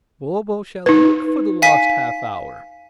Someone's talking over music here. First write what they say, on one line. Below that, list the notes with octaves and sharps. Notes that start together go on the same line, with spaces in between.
"Bobo shall look for the lost half-hour."
D#4 B4
F5 G#5 B6